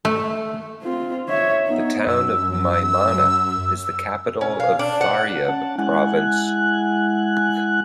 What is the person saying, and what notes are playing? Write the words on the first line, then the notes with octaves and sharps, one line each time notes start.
The town of Maymana is the capital of Faryab province.
A3
C4 F4
C#5 E5
B3 D#4
F#2 E6
C#4
F5
D4
F#5
C#4 F#5 A5
G#3 E4 F#5 G#5 F#6